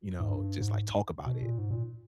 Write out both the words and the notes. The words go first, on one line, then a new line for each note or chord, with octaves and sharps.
you know, just, like, talk about it,
G#2
G2
G#2
B2
A#2
G#2
A#2